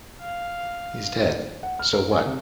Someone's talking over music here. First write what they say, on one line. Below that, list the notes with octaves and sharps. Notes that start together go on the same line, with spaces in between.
He's dead, so what?
F5
F#5
F6
A#4
G#5
C3